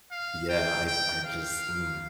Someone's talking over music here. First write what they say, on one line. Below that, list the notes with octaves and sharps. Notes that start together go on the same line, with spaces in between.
yeah, I I just mm.
F5
G5
G5
F5